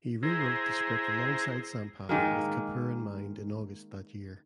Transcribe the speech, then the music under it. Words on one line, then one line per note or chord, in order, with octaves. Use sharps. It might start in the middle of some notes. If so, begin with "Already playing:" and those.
He rewrote the script alongside Sampath with Kapoor in mind in August that year.
E4 G#4 C5 A#5
D#3 G#3 A#3